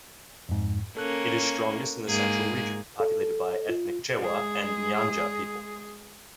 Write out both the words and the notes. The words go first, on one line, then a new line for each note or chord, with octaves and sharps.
It is strongest in the central region, populated by ethnic Chewa and Nyanja people.
F2 G#2
A#3 C#4 A4 A#4 F#6
G#2 A#3 G#4
A4
F4
G#3 G#4